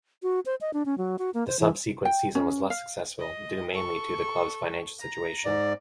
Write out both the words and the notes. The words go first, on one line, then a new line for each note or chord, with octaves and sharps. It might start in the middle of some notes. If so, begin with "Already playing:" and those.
The subsequent season was less successful, due mainly to the club's financial situation.
F#4
C5
D#5
D4
C#4
F#3
F#4
A#3
C5
E3
G5
C#4
F5
D#5
A4 C#6
A#5
G#2 D5